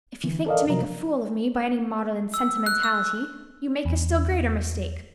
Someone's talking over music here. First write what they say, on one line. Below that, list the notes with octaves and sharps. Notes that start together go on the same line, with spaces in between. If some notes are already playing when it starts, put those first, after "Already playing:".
If you think to make a fool of me by any maudlin sentimentality, you make a still greater mistake.
D3 E3
A4 A#4 D5 D#5 F5
C3 F3 F#3 A#4 A#5
E6
F#6
E6
E2